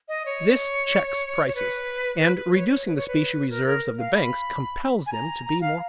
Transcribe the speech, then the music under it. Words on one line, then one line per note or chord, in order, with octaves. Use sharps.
This checks prices, and, reducing the specie reserves of the banks, compels them to be more cautious.
D#5
C#5
C#5
B4
B4
B4
C#5
C#5
B4
C#5
B4
A#4
A#4
F5
B5
G#5
A#5
A#5
F5